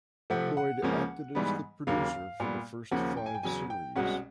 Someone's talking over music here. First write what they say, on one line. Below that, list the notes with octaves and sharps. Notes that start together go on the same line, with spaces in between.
Lloyd acted as the producer for the first five series.
C3 F3 A3 F#5
F#5
C#2 C#3 F3 A#3 C#4
G#2 E3 G3 B3
D#2 C#3 F#3 A#3 F5
A#2 G3 B3
D#2 C#3 F3 A#3 C#4 F#5
G5
G#5
G5
E2 C#3 F#3 G#5
G5
C2 B2 G#3 C#4 F#5